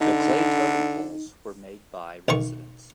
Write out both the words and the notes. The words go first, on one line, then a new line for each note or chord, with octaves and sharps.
The clay totem poles were made by residents.
D3 D#4
B1 D#3 C#6